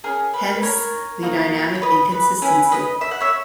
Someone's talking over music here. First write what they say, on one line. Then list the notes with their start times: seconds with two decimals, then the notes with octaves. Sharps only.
Hence, the dynamic inconsistency.
0.04 C#4 G#4 A#4
0.34 B4
0.47 A#4
0.56 B4
0.63 A#4 C#5
1.22 A#3 D#4 F#4
1.75 C#5
1.82 B4 D#5
2.12 B4
2.42 C#4 E4 G#4 B4
2.71 B4 D#5
3.01 E5
3.11 F#5
3.21 C#5 E5